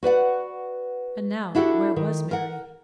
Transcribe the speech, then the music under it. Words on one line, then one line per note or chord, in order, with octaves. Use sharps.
And now, where was Mary?
F#4 B4 D5 F#5
D4 E4 F#4 G4 A4
D#3
A#4 F#5